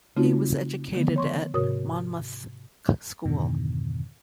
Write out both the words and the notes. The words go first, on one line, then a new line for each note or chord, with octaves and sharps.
He was educated at Monmouth School.
C#3 A3 C4 D#4 F4 F#4
D3 D#3 F3 A3 B3
C#5 C6 C#6
G#2 C3 F#4 A#4 C#5 D#6
F2 G#2 B2 D3 D#3